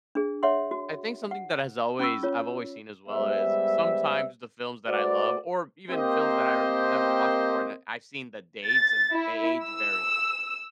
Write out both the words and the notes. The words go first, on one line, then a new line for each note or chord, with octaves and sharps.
I think something that has always I've always seen as well is, sometimes the films that I love or even films that I've never watched before, and I I've seen the dates and they age very roughly.
D4 G#4
C#5 E5 F#5 C6
F#4
F#5
C#4 B5 C#6 E6
F4 C#5
G3 G#3 B3 C5 E5
A3 F#4 B4 C5 D5
A#3 C4 G4 A#4 C5 D#5
A6
E4
E6